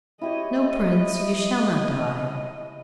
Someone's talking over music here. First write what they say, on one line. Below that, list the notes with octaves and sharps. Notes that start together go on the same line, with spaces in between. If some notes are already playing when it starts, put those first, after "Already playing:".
'No, Prince, you shall not die.
E4 G4 C#5 D#5